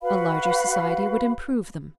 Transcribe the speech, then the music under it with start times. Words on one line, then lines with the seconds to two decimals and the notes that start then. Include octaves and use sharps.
A larger society would improve them.
0.02 F#4 B4 F5 B5